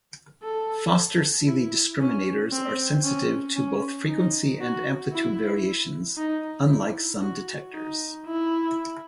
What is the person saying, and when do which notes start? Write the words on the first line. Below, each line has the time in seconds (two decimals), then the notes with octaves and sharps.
Foster-Seeley discriminators are sensitive to both frequency and amplitude variations, unlike some detectors.
0.43 A4
1.47 E4
2.00 C#4
2.52 C4
3.04 C#4
3.56 C#4
4.08 D#4
4.61 F#4
5.12 E4
6.17 D#4
6.69 E4
7.21 F#4
7.74 D#4
8.26 E4